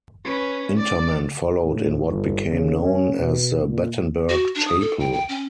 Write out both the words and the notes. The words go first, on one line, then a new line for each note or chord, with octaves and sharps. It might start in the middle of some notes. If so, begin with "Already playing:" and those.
Interment followed in what became known as the Battenberg Chapel.
C#4 B4
D5
A2
G1
C#3
C#4
B2
A#2
F#4
D4
D#6
A4
G5
G5
C#4